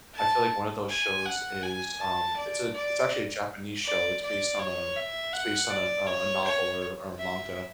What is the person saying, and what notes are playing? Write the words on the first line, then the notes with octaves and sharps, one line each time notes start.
I feel like one of those shows is, um, it's a it's actually a Japanese show, it's based on, um it's based on a a a novel, or or a manga,
A5
G#5
F#5
G#5
A5
D5
D5
D5
D5
C#5
E5
F#5
D5
C#5
C#5
E5